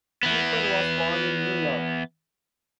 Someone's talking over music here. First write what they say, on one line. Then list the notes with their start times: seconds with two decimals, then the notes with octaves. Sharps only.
Cooper was born in New York.
0.23 E3 B3